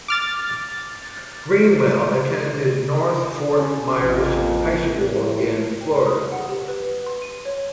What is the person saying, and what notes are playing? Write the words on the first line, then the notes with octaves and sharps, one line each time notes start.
Greenwell attended North Fort Myers High School in Florida.
D6 F6 A6
C#4
A1 F2 F3 A#3
A2
G5
D#6
F#5
G4
B4
C6
D#7
C#5